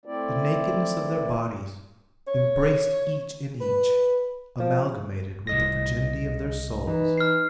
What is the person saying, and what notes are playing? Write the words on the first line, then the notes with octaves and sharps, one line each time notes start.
The nakedness of their bodies, embraced each in each, amalgamated with the virginity of their souls.
A3 C4 E4 D5
C#5
B4
F3
C2 D#5 A#6
E3 D#4
F6 C7